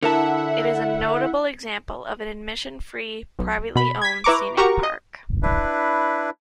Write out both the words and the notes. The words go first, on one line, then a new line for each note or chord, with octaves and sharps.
It is a notable example of an admission-free, privately owned scenic park.
D3 E4 A#4 E5 F#5 A5
B1
B2 B5
G#6 B6
E4 B4 A#5 C#6 D6
F#4 G4 A#4 A#5 C#6
D#5
D4 E4 B4